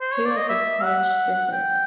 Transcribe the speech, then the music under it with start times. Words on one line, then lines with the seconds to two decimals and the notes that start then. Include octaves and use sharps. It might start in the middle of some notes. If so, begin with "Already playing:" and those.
He was of Polish descent.
0.01 C5
0.13 C#5
0.25 D5
0.37 D#5
0.49 E5
0.84 F#5
1.52 G5